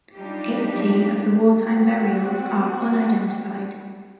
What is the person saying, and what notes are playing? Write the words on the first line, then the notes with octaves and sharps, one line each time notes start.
Eighty of the wartime burials are unidentified.
F#3 G3 D4 D#4 F4 G4
C4 F#4